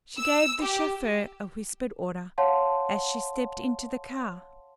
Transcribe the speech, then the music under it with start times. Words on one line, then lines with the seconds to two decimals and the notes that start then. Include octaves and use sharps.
She gave the chauffeur a whispered order as she stepped into the car.
0.19 E6
0.62 G4
2.38 C#5 F5 F#5 A5 C6